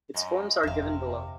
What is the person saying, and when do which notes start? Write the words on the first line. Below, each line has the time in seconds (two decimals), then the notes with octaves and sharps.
Its forms are given below.
0.15 F#2 D#5
0.63 G1 F2 C3 E5 F5